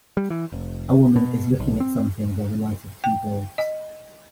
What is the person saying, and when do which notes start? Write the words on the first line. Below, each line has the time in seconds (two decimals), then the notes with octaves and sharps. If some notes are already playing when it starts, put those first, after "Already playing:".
A woman is looking at something by the light of two bulbs.
0.17 G3
0.30 E3
0.52 F1
1.16 B2
1.60 B1
1.80 C4
3.04 G5
3.58 D#5